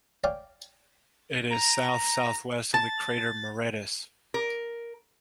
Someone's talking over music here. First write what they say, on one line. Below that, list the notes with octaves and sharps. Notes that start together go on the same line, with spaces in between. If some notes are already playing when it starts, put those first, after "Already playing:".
It is south-southwest of the crater Moretus.
C#5 D5 F5 G5 G#5 D6
A#5
A5 A6
A#4